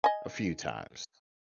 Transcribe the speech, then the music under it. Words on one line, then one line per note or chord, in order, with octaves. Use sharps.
a few times.
D#5 G#5